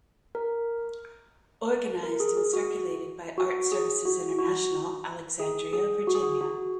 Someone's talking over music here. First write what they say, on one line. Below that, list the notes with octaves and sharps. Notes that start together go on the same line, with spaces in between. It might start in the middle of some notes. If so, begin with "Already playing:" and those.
Organized and circulated by Art Services International, Alexandria, Virginia.
A#4
A#4
G#4
G#4
F#4
F#4
G#4
F#4
F#4
G#4
G#4
F#4
G#4
F#4
F#4